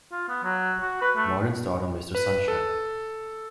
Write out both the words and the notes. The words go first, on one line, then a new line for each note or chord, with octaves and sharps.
Martin starred on "Mr. Sunshine".
F4
B3
F#3
F#4
B4
A3
B4
A4